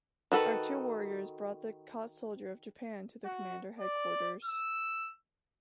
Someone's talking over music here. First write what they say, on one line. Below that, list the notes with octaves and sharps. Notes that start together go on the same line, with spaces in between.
Our two warriors brought the caught soldier of Japan to the commander headquarters.
D#3 F#4 A4 B4
F#4
D5
E6